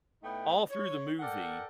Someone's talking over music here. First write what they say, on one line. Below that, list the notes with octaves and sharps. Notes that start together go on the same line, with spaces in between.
all through the movie,
A2 A3 B3 D#4 G5
C#5
A4 A#4 D5 F#5 G5